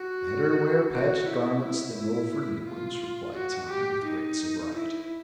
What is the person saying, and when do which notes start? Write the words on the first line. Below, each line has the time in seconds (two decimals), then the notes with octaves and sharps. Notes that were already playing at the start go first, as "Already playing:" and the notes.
"Better wear patched garments than owe for new ones," replied Tom, with great sobriety.
Already playing: F#4
0.91 F#4
1.26 E4
1.61 E4
1.95 E4
2.66 F4
3.35 F#4
3.70 G4
4.05 D#4
4.74 E4